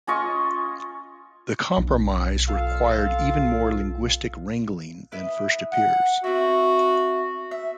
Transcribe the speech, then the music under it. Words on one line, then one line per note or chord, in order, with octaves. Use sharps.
The compromise required even more linguistic wrangling than first appears.
C#4 F4 D#5 C#6
B1
F4 A4 F5
E4 B4 D#5
F#5
C4 E4 F#4
E5